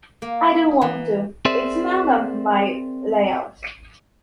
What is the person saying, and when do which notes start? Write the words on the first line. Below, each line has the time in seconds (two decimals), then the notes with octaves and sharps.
I don't want to. It's none of my lay-out.
0.22 A#3
0.81 E3
1.45 C4 G#4 A#4 C5 D5 E5